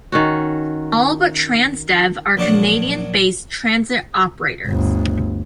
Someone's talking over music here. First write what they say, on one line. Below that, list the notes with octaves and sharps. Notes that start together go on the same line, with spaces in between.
All but Transdev are Canadian-based transit operators.
D#3 C#4 F#4
A#1 F#3 D4 D5 F5 F#5
G1 D2